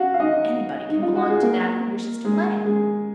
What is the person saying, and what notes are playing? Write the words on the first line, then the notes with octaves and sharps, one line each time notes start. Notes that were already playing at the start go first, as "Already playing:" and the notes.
Anybody can belong to that who wishes to play.
Already playing: F#4 F5 F#5
F5
D#4 D#5
D#4
F4
F#4
G#4
A#3 A#4
G#3 G#4
G#3 G#4